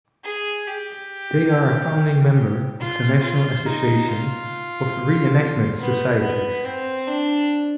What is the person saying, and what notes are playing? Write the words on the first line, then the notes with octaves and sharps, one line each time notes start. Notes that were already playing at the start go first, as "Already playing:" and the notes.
They are a founding member of the National Association of Re-enactment Societies.
G#4
G4
F4
F4
D#4
F4
B3
B3
C4
D4